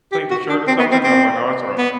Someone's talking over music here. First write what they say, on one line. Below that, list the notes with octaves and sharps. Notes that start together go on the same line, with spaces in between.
clean the shirt or something?" I was like, "No, it's alright."
G4
F#4
D4
C4
B3
C4
C4
B3